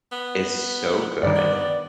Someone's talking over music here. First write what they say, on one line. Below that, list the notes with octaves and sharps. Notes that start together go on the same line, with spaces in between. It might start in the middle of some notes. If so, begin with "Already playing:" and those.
is so good,
B3
G2 D#3 D5
B3